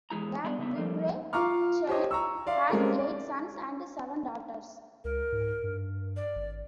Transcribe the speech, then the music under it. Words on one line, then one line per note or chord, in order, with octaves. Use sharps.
The "Divrei Chaim" had eight sons and seven daughters.
E2 G#3 E4 A#5
G3 B3 D4 D5 D#5
C#3 B3 D#4 D#5 E5
F3 G3 A3 A#3
F4 F5 A#5 C#6 D6 F6
G4 C5 C#5 D#5
A#5 C#6 E6
D5 E5 F5 C6
G#3 C4 C#4 G4 A4 A#4
D5
C#2 A#4
G#2
G2
D5
G#1